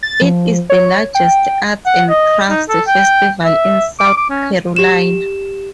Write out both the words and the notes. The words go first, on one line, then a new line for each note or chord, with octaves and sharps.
It is the largest arts and crafts festival in South Carolina.
A6
F3
C#5
G5
F#5
D#5
D#4
A4
G5
E5
D6
D6
C#4
G4 E7